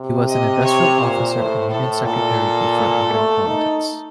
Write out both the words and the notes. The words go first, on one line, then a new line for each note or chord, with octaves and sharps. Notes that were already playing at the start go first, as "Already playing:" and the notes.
He was an industrial officer and union secretary before entering politics.
Already playing: C3
D#5
C#5
A#2 C5
A2
A2 A4
A#2 A4
A3
D#4